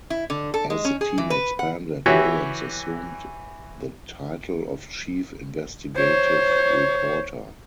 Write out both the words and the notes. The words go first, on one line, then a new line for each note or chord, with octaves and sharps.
As the team expanded, Williams assumed the title of chief investigative reporter.
E4
D3
A4
G#3
C#4
G#4
E3
B4
F#5
E3 F#4 G4 C#5 E5
C5 C#5